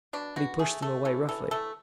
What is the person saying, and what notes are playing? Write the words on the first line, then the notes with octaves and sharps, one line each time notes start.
But he pushed them away roughly.
B2 D4
B2 F#4
A3 G#4
A3 A4
E3 A4
E3 A4
A3 A4